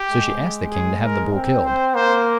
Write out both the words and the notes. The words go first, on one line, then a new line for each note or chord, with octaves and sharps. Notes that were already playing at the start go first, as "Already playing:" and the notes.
So she asked the king to have the bull killed.
Already playing: G4
G#3
G#4
A#4
C4
C5
A#3 C5